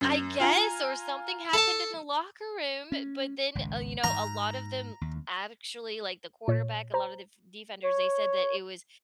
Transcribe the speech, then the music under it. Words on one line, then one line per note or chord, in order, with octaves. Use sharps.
I guess, or something happened in the locker room, but then Oh, you know, a lot of them actually, like, the quarterback, a lot of def defenders, they said that it was
F#2
F4 G#5 A#5
A4 A5
C#4
G#1 C#2
G#2 A#5
D#2
A#2 C#5
C5 A#5
C#5